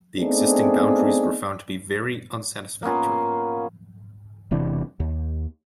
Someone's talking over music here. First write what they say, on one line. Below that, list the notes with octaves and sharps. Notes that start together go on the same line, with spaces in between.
The existing boundaries were found to be "very unsatisfactory".
A3 B3 C4 D4 D#4 G#4
A#3 B3 C#4 F4
E1 C3 E3 D4
D#2